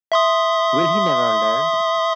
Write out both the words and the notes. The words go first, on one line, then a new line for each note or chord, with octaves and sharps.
Will he never learn?
E5 C6 D#6